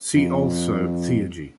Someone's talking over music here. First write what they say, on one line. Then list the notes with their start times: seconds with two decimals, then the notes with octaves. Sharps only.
See also Theurgy.
0.16 F2